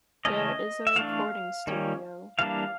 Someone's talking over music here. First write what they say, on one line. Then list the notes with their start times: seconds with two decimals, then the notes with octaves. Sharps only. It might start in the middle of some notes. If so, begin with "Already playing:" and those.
There is a recording studio.
0.25 C#3 E3 A3 C#4 D#5
0.87 E5
0.96 E3 A3 D4 F5
1.67 D#3 G3 A#3 C#4
2.39 E3 G3 A#3 D4 F5